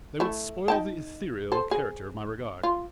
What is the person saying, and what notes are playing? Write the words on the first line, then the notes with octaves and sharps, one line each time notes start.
They would spoil the ethereal character of my regard.
A3 E4
D#4 G5 A5
A4 C5
G#4
F4